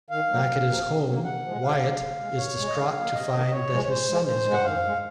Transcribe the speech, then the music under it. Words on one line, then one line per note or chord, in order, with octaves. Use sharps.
Back at his home, Wyatt is distraught to find that his son is gone.
D#3 F5
F#3 A#3
A#2
F3 A#3
C#3
F#3 A#3
C3 F#5
F3 G#3
A#2 F5
F#3 A#3
C#3
G#3
D#3 C#5
G#3
D#5
D#3 F5
F#3 A#3
C3 D#5
D#3 A#3
A#2 C#5
F3 G#3
C#5
A#2 C5
F3 G#3
D#3 C5
G#3
F#5
D#3 F5
G#3